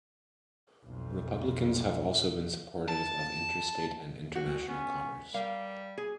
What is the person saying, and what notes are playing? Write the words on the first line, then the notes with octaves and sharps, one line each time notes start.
Republicans have also been supportive of interstate and international commerce.
B1 F2
A5
C2 F#4
B3 C#4
G3 A#4 F5
G#4